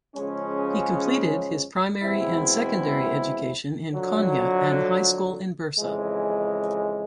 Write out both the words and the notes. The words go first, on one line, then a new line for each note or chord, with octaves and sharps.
He completed his primary and secondary education in Konya and high school in Bursa.
C#3 F3 G#3 C#4
E2 B2 G#3 C4 E4
F2 D3 F#3
F2 C#3 E3 G#3